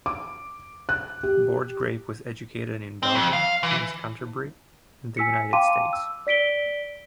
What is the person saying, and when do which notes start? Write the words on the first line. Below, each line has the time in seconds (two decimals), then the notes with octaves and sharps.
Borchgrave was educated in Belgium, King's Canterbury, and the United States.
0.06 D6
0.89 F#6
1.23 G4
3.03 C4
3.15 F2
3.33 F5
3.63 E3
5.17 G#5 E6 B6 C#7
5.53 F5 G5 A5 C6 D6 D#7
5.93 E6
6.27 D5 B6 D7 G7